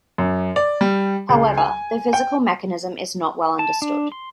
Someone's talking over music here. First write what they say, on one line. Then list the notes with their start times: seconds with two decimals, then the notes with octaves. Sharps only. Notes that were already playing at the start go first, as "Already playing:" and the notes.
However, the physical mechanism is not well understood.
0.18 F#2
0.56 D5
0.81 G3
1.29 C#2
1.57 G#5
2.13 G5
3.59 A5
3.82 D4
4.12 C6